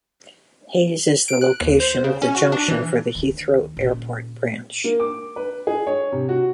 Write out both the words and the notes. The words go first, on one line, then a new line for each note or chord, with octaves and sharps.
Hayes is the location of the junction for the Heathrow Airport branch.
D7
F#6
D#2
C5
C#3
C#4
F#4
D4
E3
D2 D#3
A#2 C#3
A#3
D6
B4
G#4
C#5
C3
F#4